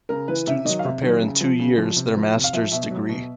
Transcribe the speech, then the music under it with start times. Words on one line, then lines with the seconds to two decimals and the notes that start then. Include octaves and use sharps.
Students prepare in two years their Master's degree.
0.09 C#3 A#4
0.28 E3 B4
0.47 C3 E5
0.65 D#3 F#3 D#5
0.79 F5
0.85 C3 E5
1.03 D#3 F#3
1.22 C#3
1.41 F3
1.59 C#3
1.78 F3
1.96 C3
2.16 F3
2.35 C3
2.44 F5
2.53 F3 E5
2.72 B2 E5
2.91 F#3
3.09 B2